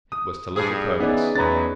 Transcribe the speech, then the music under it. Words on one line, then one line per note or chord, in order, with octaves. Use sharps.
It was to little purpose.
D#6
G2 G#4
E3 B3 C#4 D#4 D5
E2 B2 F#3 C#4 B4 A#5 A6